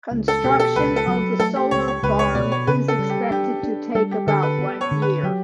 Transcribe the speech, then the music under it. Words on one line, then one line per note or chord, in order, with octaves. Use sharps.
Construction of the solar farm is expected to take about one year.
C#2
A4
B2 G4
A4
C#2 B4
A4
F#3
A3 A4
G4
C#2 C#5
C#5
C#2 B4
C#5
B2 D5
C#5
C#3 B4
A4
G3
G4
D4 G4
D4
G3 A4
G4
D3 A4
B4
B3
C#5
D3
B4
F#3 G4